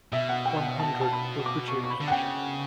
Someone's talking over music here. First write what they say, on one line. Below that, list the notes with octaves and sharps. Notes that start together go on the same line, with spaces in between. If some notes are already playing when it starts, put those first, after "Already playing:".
One hundred were produced.
B2 E5
F#5
G5
F#5
A5
A5
B5
D6
C#6
C#6
B5
D3
F#5
C#3 G5